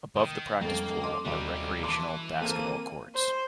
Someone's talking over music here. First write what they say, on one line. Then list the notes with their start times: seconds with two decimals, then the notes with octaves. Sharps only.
Above the Practice Pool are recreational basketball courts.
0.16 D#3 D#6
0.61 F2 G3 A#3 C#4 A4
1.02 D#5 C6 D6
1.25 D#1 G3 C4 F#4 D#5
1.83 E3 A5 C6 D6
2.41 A#3 C4 A4 D#7
3.15 C5